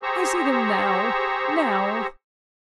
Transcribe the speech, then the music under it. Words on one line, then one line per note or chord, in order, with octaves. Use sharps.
I see them now--now!'
G4 G#4 C5 A#5 C#6 E6